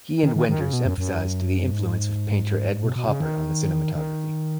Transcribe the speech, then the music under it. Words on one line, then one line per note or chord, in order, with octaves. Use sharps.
He and Wenders emphasized the influence of painter Edward Hopper on the cinematography.
D#3
D#3
D#3
C#3
B2
F#2
F#2
G#2
B2
B2
C#3
D#3
D#3